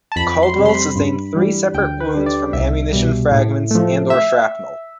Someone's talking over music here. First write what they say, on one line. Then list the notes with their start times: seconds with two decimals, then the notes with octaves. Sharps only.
Caldwell sustained three separate wounds from ammunition fragments and or shrapnel.
0.12 A5
0.16 F2 B5
0.43 C6
0.56 C3 G3
0.66 C6
0.69 B5
0.95 G2
1.35 E3 G3
1.74 D2 G5
2.00 B4
2.14 D3 G3
2.26 D5
2.53 C2 E5
2.93 B2 G3
3.31 A2
3.71 F3 A3
4.10 E5